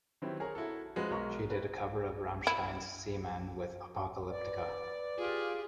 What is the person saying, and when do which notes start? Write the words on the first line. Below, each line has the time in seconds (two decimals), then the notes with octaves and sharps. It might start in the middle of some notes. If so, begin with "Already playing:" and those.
She did a cover of Rammstein's "Seemann" with Apocalyptica.
0.22 D#3 F#3 C4 E4 G4 B4
0.40 G#4 A#4 C#5 A#5
0.55 E4 F#4 A4
0.96 F3 G#3 F#4 G#4 B4
1.11 B1 G#3 A#4 A#5 C#6
1.50 B4
2.47 E4
4.31 B4 D5
5.17 F4 G4 G#4